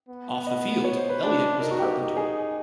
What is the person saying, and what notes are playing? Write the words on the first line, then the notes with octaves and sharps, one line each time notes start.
Off the field, Elliott was a carpenter.
B3
D#5
C#5
C5
B4
D4
D#4 A#4
F#4
G4
D#4 G4
G#4